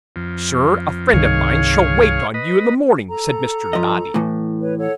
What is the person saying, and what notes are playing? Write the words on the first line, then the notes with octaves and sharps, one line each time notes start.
'Sir, a friend of mine shall wait on you in the morning,' said Mr. Noddy.
F2
C2 G2 D#3 G#4 C#5 F5
B4 D#5
A4 A#5
F3 D#5
A2 E3
B4 C#5
A4 C#5 F#5